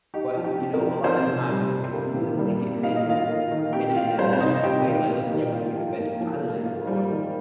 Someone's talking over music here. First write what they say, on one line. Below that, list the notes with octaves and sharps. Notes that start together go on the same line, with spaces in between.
but, you know, a lot of times if we really wanna get things in a in a in a certain way, like let's say I wanna be the best pilot in the world,
D#4 G4
F3
G4
C4
A#4
F3
C4 D#4 C5
C3
G3
C3
A#3
A#2
G3
A#2
D#4 F5
D#5
D#3 F4 F5
A#3
D#3
C4 G4 G5
F4 F5
G3 C4 C5
C5
C3 D#4 D#5
F4 G4 G5
D#3
A#3
D#3
F4
F3
A#3
F3
A#3
F4
G3
D#3